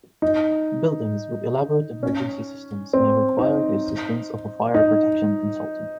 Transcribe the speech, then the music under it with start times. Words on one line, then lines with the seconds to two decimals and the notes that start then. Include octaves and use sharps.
Buildings with elaborate emergency systems may require the assistance of a fire protection consultant.
0.22 D#4
2.03 C#4
2.93 C4
3.39 D#4
4.74 D#4